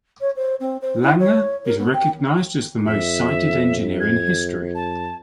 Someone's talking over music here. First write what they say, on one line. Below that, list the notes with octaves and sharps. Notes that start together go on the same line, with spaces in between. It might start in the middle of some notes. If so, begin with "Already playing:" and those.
Langer is recognized as the most cited engineer in history.
C#5
C5
C4
C5
E4
C#5
A#4
B3
G5
F2 E5
G#6
A5